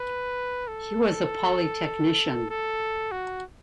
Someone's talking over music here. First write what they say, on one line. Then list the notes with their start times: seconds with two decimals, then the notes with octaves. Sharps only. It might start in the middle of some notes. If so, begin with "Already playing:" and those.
He was a Polytechnician.
Already playing: B4
0.67 A4
2.50 A4
3.11 F#4